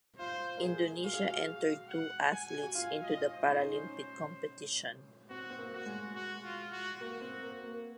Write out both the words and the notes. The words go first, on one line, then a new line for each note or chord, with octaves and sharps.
Indonesia entered two athletes into the Paralympic competition.
F4 C5
A#4
G#4
F#4 F5
G#4
F#4
F5
F#5
G#5
F#4
F4 F5
D#5
F4
C5
D#4
C#4
C4 F#4
C4
A#3
F#4
G#3
F#4
F4
F#4
A#3 F#4
C4
A#3
A#3